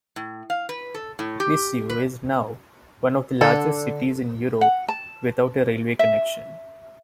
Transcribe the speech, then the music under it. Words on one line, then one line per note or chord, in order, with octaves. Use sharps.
Viseu is now one of the largest cities in Europe without a railway connection.
A2
F5
B4
A4
A2
G4
B4
D3 A4
F#5
A5
E5